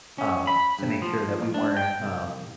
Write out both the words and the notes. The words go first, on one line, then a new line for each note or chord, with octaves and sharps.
uh, to make sure that we weren't, um,
C#4
B5
G2
F3
D4
G5
C2